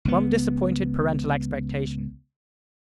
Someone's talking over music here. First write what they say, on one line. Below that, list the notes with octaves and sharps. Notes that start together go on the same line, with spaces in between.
Rum disappointed parental expectation.
C#2 B3